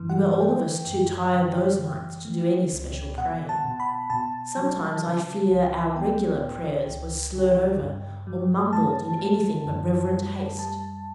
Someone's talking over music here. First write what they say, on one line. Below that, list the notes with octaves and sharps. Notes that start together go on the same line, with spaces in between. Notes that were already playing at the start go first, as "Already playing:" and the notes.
We were all of us too tired those nights to do any special praying. Sometimes I fear our "regular" prayers were slurred over, or mumbled in anything but reverent haste.
Already playing: G2 E3
F#5
A3 G5
F#2
C#3
E3
A3
C#2
B2 F#5
A5
B2
B5
B2 A5
F#3
C#3
C#2
B3 G5
A2
C#2
C#3
G2
F#3
A3 A5
A3
F#2
G3
G3 A5